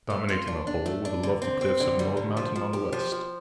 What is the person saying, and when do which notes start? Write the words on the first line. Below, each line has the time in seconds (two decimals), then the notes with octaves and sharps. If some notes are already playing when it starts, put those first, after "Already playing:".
Dominating the whole were the lofty cliffs of North Mountain on the west.
0.10 A3
0.29 F4
0.47 D4
0.67 D4
0.86 A3
1.05 D4
1.23 D3
1.42 C4
1.61 C4
1.80 D3
1.99 G3
2.17 D3
2.37 F3
2.56 F3
2.73 G4
2.93 F3
3.12 F3